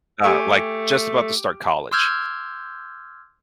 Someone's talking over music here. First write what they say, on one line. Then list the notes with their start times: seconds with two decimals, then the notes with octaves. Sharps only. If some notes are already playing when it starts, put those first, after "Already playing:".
uh, like, just about to start college,
0.24 A3 G4 G#5 C#6
1.92 C6 D6 E6 F6 G6 G#6